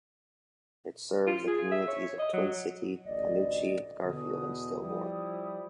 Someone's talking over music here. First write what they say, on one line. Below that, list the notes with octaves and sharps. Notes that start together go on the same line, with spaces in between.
It serves the communities of Twin City, Canoochee, Garfield, and Stillmore.
F4
G#4
E5
C#5
D#5
F#3
A1 D2 D5 D#5
E2 B2 D3 D#6
F3 G3 E4